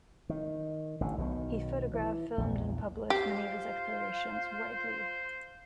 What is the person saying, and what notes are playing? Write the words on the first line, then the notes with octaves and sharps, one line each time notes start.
He photographed, filmed and published many of his explorations widely.
D#3
A1 D3
B1 B2 D#3
E3
A#1 E2 G2
F4 G4 C5